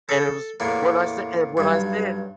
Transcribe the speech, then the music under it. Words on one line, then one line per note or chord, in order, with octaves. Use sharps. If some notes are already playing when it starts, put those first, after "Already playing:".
And it was when I sa and when I said
A4
E2 A2 A#3
B1 G2